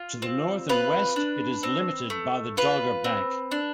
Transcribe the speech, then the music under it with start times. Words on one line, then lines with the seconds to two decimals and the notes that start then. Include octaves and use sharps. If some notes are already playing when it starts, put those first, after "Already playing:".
To the north and west it is limited by the Dogger Bank.
Already playing: F4
0.22 C4
0.69 F4 B4
1.16 D4
1.63 C4
2.10 A3
2.57 F4 B4
3.04 C4
3.52 D4